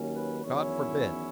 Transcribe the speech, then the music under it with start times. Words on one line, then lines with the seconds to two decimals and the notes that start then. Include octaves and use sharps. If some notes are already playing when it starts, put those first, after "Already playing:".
God forbid.
Already playing: D#2 D#3 F#3 C#4
0.14 B4
0.43 E2 D#3 F#3 C#4 E4 C#5